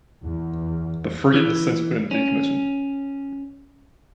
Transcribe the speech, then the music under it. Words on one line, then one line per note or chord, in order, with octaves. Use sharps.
The frigate has since been decommissioned.
E2
E3
C#4